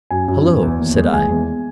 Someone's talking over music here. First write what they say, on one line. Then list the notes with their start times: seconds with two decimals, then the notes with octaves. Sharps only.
"Hullo," said I.
0.11 F#2 G#5
0.28 F#2
0.45 E2
0.62 E2
0.79 D#2
0.97 G#3
1.13 E2 G#5
1.30 E2